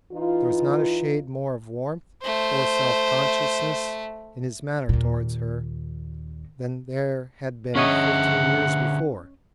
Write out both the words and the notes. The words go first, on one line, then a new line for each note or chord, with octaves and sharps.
There was not a shade more of warmth or self-consciousness in his manner towards her than there had been fifteen years before.
E3 D#4 F4
A3 C5
D#2 A#2
D3 C#4 G#4 C#5 D#5 E5 F#5